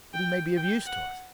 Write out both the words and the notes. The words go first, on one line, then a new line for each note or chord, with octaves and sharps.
"But he may be of use to us."
G5
G5
F#5